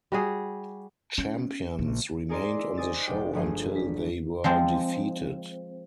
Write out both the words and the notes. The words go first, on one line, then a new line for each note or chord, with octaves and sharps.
Champions remained on the show until they were defeated.
G3 F#4 G#4
C#4
A#1
D#4 G#4 A#4 D5 C6 D6
E4
C5 D#5 G#5 D6 D#6 A6
F1 D4 G4 G5
G1 F3 A3 G#4
B6
F3 G#3 C4